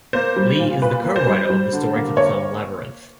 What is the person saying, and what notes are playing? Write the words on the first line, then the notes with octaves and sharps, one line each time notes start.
Lee is co-writer of the story for the film "Labyrinth".
A#3 C5
G3
A#2
A#2 B4
A#3
C5
G3
G3
D3
A#3
C#5